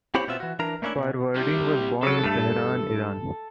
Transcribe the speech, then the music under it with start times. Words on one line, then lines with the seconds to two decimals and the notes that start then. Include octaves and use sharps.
Farvardin was born in Tehran, Iran.
0.15 C4 E4 G4 C5 C#5 B5
0.28 B2 B3 C4 F4 E5
0.40 E3 F#4
0.59 E3 D4 A#4 A#5
0.82 A3 A#3 C#4 D4 E4
0.98 B2
1.36 C3 G3
2.03 C#3 F#3 A4
2.24 G2 A3